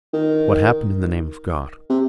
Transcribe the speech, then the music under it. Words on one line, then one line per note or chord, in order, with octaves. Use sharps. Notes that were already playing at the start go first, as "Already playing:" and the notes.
What happened in the name of God?
D#3
C3